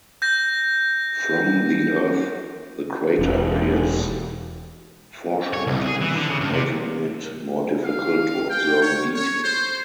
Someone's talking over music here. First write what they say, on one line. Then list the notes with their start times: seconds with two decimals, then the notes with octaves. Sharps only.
From the Earth the crater appears foreshortened, making it more difficult to observe detail.
0.22 G6 A#6
3.19 E1
5.53 C#5
5.67 C2
5.86 G#4
6.01 E3
6.15 D3
6.29 C#3
6.41 G2
6.52 C3
7.84 F5
8.49 G5
8.82 C#5
9.14 C#5
9.43 C5